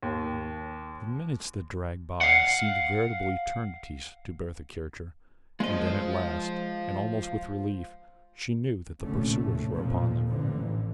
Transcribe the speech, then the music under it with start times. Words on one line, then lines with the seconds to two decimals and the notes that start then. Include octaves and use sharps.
The minutes that dragged by seemed veritable eternities to Bertha Kircher and then at last, and almost with relief, she knew that the pursuers were upon them.
0.03 D#2
2.21 F5 F#5
5.60 G#3 F4 C5 D#5
9.03 F1 A#1 A2 D3 A3 C#4
9.70 F2 A#2 F3
10.28 A1 D3 E3